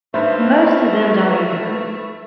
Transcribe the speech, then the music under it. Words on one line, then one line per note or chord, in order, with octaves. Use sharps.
Most of them don't either.
G2 A3 D#4 B4 C5 E5